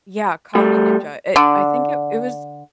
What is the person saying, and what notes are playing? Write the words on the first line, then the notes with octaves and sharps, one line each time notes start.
Y yeah, Coffee Ninja, it I think it it was
G3 A3
D3